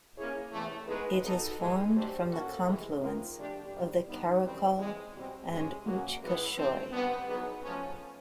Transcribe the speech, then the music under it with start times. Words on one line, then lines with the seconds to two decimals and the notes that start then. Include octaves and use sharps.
It is formed from the confluence of the Karakol and Uch-Koshoy.
0.17 A#3 C#4 E4 G#4 C#5
0.52 E2 C3 E3 A3
0.87 G#3 B3 D#4 G#4 B4
1.23 G#3 B3 D#4 F#4 A4
1.59 G#2 E3 G#3
1.94 F#3 A3 D4 G4 C5
2.30 A#3 C#4 F#4 A4
2.65 C3 E3 G#3
3.01 D#3 G#3 C4 F4 A#4
3.36 C3 F3 A3 D4 G4
3.73 C3 D#3 G3
4.08 D3 G3 B3 D#4
4.44 F#2 C#3 E3 G3 C4
4.78 C#3 E3 G#3
5.14 B2 G3 C4
5.50 C3 E3 G#3 C#4
5.86 B2 F#3 A#3 C#4 F#4
6.22 A2 E3 G#3 B3 E4
6.57 E3 A3 C4
6.92 G2 D3 G3 B3
7.28 F#3 B3 D#4 G#4 B4
7.63 F3 A3 C#4